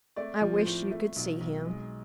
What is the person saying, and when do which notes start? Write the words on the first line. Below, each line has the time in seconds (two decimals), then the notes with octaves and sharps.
I wish you could see him!
0.16 A3 D5
0.41 F3
0.54 C5
0.66 A2
0.91 A3
1.16 B1
1.40 B1
1.65 G#3